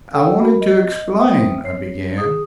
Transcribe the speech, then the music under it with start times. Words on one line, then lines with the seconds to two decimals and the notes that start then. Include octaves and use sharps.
"I wanted to explain--" I began.
0.14 A4 F#5 G5 E6
0.40 F#4 A#4 B5
0.61 D#5
1.19 C5 E5 G5 D#6
1.64 C#5 C7
2.18 G#4 D#6